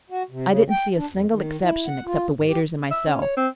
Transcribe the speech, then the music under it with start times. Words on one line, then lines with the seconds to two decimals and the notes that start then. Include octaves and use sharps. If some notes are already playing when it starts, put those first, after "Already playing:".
I didn't see a single exception except the waiters and myself.
0.10 F#4
0.31 C3
0.47 C#3
0.70 G5
0.96 D4
1.10 F2
1.31 D#3
1.62 E4
1.87 F#5
2.06 F4
2.34 G#2
2.48 G4
2.91 E5
3.06 C#4
3.22 C#5
3.37 C4